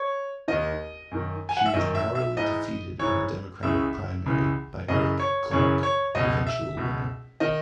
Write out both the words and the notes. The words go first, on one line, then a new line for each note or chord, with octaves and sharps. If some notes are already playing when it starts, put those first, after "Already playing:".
She was narrowly defeated in the Democratic primary by Eric Clark, the eventual winner.
Already playing: C#5
D#2 D#3 D#5
F#2 D#3
G#5
F#5
E5
F#2 D#3 D#5
E5
E5
G#2 E3 D#5
G#2 E3 C#5
C#2 C#3 E3 E5
C#2 C#3 E3
F#2 C#3 E3 D#5
C#5
F#2 C#3 E3 C#5
C#5
C#2 B2 D#5
E5
C#2 B2
D#3 D#5